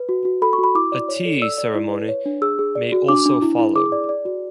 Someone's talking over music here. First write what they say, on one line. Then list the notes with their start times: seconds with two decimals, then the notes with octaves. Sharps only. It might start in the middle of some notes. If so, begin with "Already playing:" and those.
A tea ceremony may also follow.
Already playing: B4
0.09 F#4
0.25 F#4
0.42 A4 B5
0.53 C#6
0.58 F#4
0.64 B5
0.75 E4 D6
0.92 D5
1.09 C#5
1.25 A4
1.42 D5 E6
1.58 D5
1.75 E4
1.92 B4
2.09 C#5
2.26 D4
2.42 G#4 E6
2.59 G#4
2.75 D5
2.92 F#4
3.09 D4 D6
3.26 D4
3.42 E4
3.59 E4
3.76 G#4 D6
3.92 D5
4.09 D5
4.25 F#4